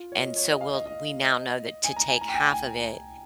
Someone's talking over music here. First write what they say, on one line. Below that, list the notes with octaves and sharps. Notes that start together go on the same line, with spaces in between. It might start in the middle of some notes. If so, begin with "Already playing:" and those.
and so, we'll, we now know that to take half of it
Already playing: F4
C#5
D#5
C#5
D#5
F5
D#5
D#5
D#5
G#5
A#5
G#5
A#5
G5
G#5
G#5